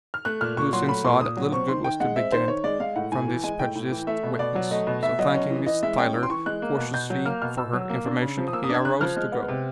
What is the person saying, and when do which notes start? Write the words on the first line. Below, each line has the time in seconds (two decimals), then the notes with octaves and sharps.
Lucian saw that little good was to be gained from this prejudiced witness, so thanking Miss Tyler courteously for her information, he arose to go.
0.14 F6
0.25 A3 F#6
0.41 A#2 F6
0.57 A#2 C#6
0.73 F#3 C6
0.89 A3 B5
1.04 A#2 C6
1.21 A#2 D#6
1.37 F#3
1.52 C4 C#6
1.68 D#3 C6
1.84 D#3 G5
2.00 G#3 F#5
2.16 C4 E5
2.32 D#3 C5
2.48 D#3 C#5
2.64 G#3 D5
2.80 G#3 F5
2.96 A2 F#5
3.12 A2 G#5
3.28 E3
3.44 G#3 G#5
3.59 A2 G5
3.75 A2
3.91 E3
4.07 A3 E5
4.23 B2
4.39 B2 D5
4.55 F#3
4.71 A3 D#5
4.87 B2
5.03 B2 E5
5.19 F#3 D#5
5.34 C#4
5.51 E3
5.66 E3 D#5
5.83 G#3 E5
5.98 C#4 G5
6.14 E3
6.23 C6
6.30 E3 C#6
6.46 G#3 F#6
6.62 A#3
6.78 B2
6.93 B2 G6
7.10 F#3
7.25 A#3 F6
7.42 B2 F6
7.57 B2 E6
7.73 F#3
7.89 A#3
8.05 D4
8.22 C#3
8.37 F3
8.48 D#6
8.53 A#3 E6
8.64 D#6
8.69 D4
8.74 G#6
8.85 C#3 F#6
9.01 F3 F6
9.17 G#3
9.32 B3
9.48 C3